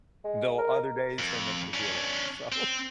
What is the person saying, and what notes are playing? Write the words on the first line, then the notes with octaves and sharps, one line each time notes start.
Though other days they make me feel old, so
G#3
A#4
F2
C#4 D4
C4